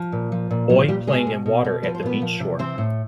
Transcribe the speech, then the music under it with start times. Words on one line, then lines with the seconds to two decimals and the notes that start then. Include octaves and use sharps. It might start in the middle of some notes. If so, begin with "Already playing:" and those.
Boy playing in water at the beach shore.
Already playing: F3
0.12 A#2
0.32 F3
0.51 A#2
0.69 F3 F#3 F#4
0.88 A#2 G3 G4
1.07 B2 G#3 G#4
1.27 B2
1.46 B2
1.64 B2
1.83 F3 B4
1.95 C5
2.03 A#2 B3 B4
2.22 F3
2.40 C3
2.59 E3 C4 C5
2.78 A2